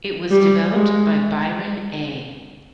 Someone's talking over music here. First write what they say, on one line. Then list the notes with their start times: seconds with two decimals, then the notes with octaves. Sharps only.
It was developed by Byron A.
0.31 G3
0.76 G#3